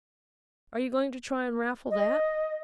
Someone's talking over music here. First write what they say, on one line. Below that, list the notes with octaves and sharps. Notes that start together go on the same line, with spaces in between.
"Are you going to try and raffle that?"
D#5